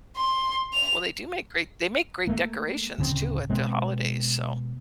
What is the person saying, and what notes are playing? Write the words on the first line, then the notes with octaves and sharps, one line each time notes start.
Well, they do make great they make great decorations too at the holidays, so,
C6
F7
A3 A#3
D1 C#3 C4
B2 G#3 B3 C4